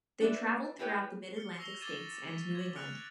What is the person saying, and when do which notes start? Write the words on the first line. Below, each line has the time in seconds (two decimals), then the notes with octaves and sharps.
They traveled throughout the Mid-Atlantic states and New England.
0.21 D4 F#4 B4 D5 E5
0.79 E4 G4 B4 C#5 G5
1.34 F6 C#7 G7
1.58 C#6 E6 A#6 C7 F7 G7
1.80 D6 G#6 A6 D#7 E7 G7
2.27 G#6 B6
2.55 G#6 F#7
2.76 F6 F#6 A6 C#7 D7 F7